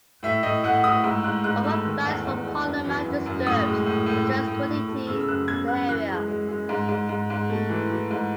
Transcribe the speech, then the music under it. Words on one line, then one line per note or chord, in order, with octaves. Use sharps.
Overflights from Holloman disturbed the tranquility of the area.
A2 E5
A2 D#5
A2 F#5
A2 D#6
G#2 E6
G#2 F#6
G#2 F#6
A3 E6
D#3
E2
E2
E2
F#2
E3
F#2
F#2
A2 D#6
G#3
A2
A2
A2
A2
A2
A3
C#3 E6
E6
F#2 F#6
C#3 G#6
F#2 F#6
E3 F#6
G#3
G#3
G#3
G#2
G#2
G#2
G#2
A3
E3
E3
G#2